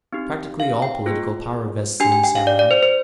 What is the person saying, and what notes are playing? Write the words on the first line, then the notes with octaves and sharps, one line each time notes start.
Practically all political power vests in the samurai.
C4 D#4 G4
F5
G5
A#3 F4 G#4
D4 G4 G#5
G#5
G5
F5
D5
D5
C5
C5